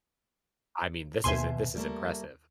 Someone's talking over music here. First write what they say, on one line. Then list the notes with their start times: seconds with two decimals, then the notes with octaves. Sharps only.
I mean, this is i this is impressive.
1.24 D#2 B2 E5 G#5 C6
1.76 G3 A3 A#3